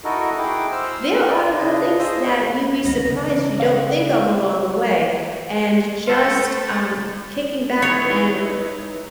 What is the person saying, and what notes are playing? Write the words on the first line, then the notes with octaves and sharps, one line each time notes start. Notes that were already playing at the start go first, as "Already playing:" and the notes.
There are little things that you'd be surprised you don't think of along the way, and just, um, kicking back and
D#4 E4 F#4 A4 A#4 D#5
E4 G#4 F#5 G5 D6
C5 E6 F6
D5 G5
C#3 D4 D#5
G#4 C5 D#5 D#6 E6
C#2 D#3 B3 C#4 A#6
C#3 B3
E3 D#5
C4 C5 D#5 F5 F#5
A3 F4 A4 C5 A6
D#4 E4 B4 C#5